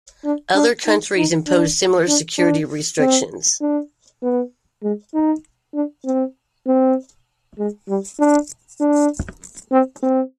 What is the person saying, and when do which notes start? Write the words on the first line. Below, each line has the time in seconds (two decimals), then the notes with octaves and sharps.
Other countries imposed similar security restrictions.
0.24 D4
0.54 D4
0.86 D#4
1.16 D#4
1.47 D4
2.07 D4
2.38 D4
2.99 C4
3.61 D4
4.22 B3
4.83 G#3
5.14 D#4
5.74 D4
6.05 C4
6.66 C4
7.58 G#3
7.88 G3
8.19 D4
8.80 D4
9.72 C4
10.02 C4